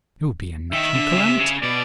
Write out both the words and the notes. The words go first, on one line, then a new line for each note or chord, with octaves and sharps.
It would be a national calamity.
D#3 E5
D3
C3
C#3
C3
C#3
B2 D5